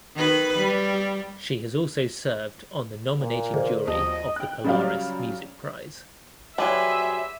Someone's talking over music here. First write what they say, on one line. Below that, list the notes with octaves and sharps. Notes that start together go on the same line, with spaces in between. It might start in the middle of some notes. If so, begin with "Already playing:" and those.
She has also served on the nominating jury of the Polaris Music Prize.
D#3 B4
G3
A#2
D3 G#4 C5 D#5
D#2 F3 D#5 A5
G5 F#6
C#3 F#3 G3 F4 F5
D#3 F#3 G3 G#4 B4 C5 E5 G#5